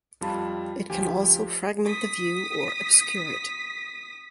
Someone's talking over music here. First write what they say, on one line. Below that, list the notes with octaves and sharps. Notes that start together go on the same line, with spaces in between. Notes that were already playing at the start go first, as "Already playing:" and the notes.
It can also fragment the view or obscure it.
F2 G3 F4 A5 B5
D2 F3 G4 G#5
D#6 B6